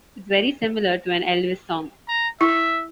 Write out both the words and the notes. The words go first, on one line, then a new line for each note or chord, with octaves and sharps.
It's very similar to an Elvis song.
A#5
E4 E5